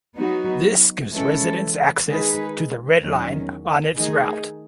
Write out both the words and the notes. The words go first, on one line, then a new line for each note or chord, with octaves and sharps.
This gives residents access to the Red Line on its route.
F#3 B3 D#4 F#4
E3 G#3 C#4 E4 A4
D#3 G#3 D#4 G#4 B4
E2 D#3 F#3 C#4
D#3 A3 D#4 G#4